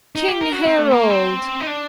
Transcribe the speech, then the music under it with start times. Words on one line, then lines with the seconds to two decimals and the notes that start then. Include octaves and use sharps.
"King Harald!"
0.15 D#4
0.28 G4
0.41 A#4
0.52 F#4
0.65 C4
0.78 A3
0.91 A#3
1.10 C4
1.60 D#4
1.67 D4